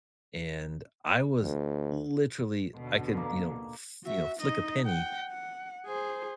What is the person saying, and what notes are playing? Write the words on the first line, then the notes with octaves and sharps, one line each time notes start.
and I was literally I could, you know, fl you know, flick a penny
D2
D#2 B2 D3
A#3
F#4 E5
D#4 D#5
F#5 G5
F#5
G#4 C5